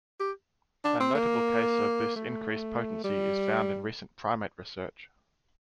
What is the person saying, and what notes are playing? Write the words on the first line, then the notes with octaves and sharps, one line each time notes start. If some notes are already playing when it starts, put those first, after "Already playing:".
A notable case of this increased potency is found in recent primate research.
G4
D4
C4
A#3
A3
G3